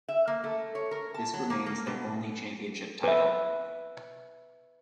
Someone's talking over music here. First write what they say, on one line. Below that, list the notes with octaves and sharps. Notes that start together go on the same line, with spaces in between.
This remains their only championship title.
E5
A#3
A3
C#5
A#4
A5
F#3
A#3
A#3
B2
B4 E5